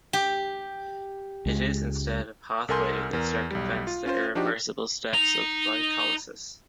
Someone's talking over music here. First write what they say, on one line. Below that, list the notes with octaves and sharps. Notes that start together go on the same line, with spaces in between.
It is instead a pathway that circumvents the irreversible steps of glycolysis.
G4
C#2 G#3
C2 A4 A#4 G#5 C6 G6
E2 A#4
B1 G3
F4
C#4 F4 C5
F3 D4 D#4 F#4 G4
D#4 A#5